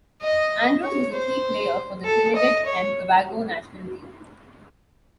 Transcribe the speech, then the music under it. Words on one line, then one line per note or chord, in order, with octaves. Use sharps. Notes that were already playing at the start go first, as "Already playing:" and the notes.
Andrews was a key player for the Trinidad and Tobago national team.
D#5
C#5
C5
A4
D#5
C#5